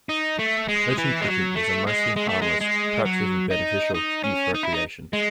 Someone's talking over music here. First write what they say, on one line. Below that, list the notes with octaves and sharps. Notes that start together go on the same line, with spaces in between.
Legend-tripping is a mostly harmless, perhaps even beneficial, youth recreation.
D#4
A3
G#3
E3
G#3
F#3
A3
G#3
G#3
A3
G#3
G#3
F#3
D#4
D#4
C#4
D#4
E4
D#4
G#3